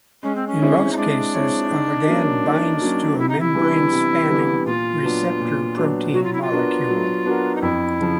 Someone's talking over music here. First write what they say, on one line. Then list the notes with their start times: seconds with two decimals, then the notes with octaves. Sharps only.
In most cases, a ligand binds to a membrane-spanning receptor protein molecule.
0.23 G#3 C#4
0.35 C4
0.47 C#4
0.60 C4 E4 G#4 C#5
0.93 D#4
0.97 G#3 D4
1.34 C4 E4 G#4 C#5
1.71 D#3
2.07 F#3 A#3 C#4
2.45 D#3
2.81 F#3 A#3 C#4
3.19 C3 E4
3.29 D#4
3.40 E4
3.55 E3 G3 B3 D4
3.92 C3
4.29 E3 G3 B3 D4
4.66 A#2 F4
5.03 F#3 B3 D4
5.40 A#2
5.77 F#3 B3 D4
6.13 F#3 F#4
6.24 F4
6.33 E4
6.42 F4
6.51 B3 D4 F#4 A#4
6.88 F#3
7.25 B3 D4 F#4 A#4
7.55 D#4
7.61 F2 E4
7.99 C#3 F3